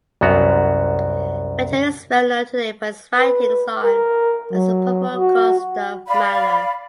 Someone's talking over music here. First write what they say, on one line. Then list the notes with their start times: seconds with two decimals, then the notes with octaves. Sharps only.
Ritter is well known today for his writings on and support for Gustav Mahler.
0.21 C2 F#2 B3 F#4 A#5
3.15 B4
3.83 A#4
4.53 F#3
5.17 F#4
6.07 D5 F5 B5